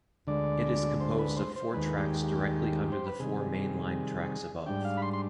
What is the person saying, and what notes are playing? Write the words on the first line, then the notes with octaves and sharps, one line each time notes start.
It is composed of four tracks directly under the four main line tracks above.
D2 D3 G#3 D5
C5
B4
C5
C5
D#2 D#3 G#3 B4
G4
G4
C5
B4
C3 D#3 G3 G#4
G#2 G3 D4 G5
F5
B5
C6
C6